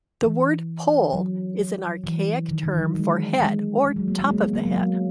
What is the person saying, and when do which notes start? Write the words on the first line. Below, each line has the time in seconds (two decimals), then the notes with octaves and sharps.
The word "poll" is an archaic term for "head" or "top of the head".
0.22 E3
1.13 F#3
2.04 E3
2.49 D#3
2.64 D#3
2.73 E3
2.79 F#3
2.95 G#3
3.40 G#3
3.85 G#3
3.96 F#3
4.08 A#3
4.19 G#3
4.31 A#3
4.41 B3
4.53 A#3
4.65 F#3
4.76 F#3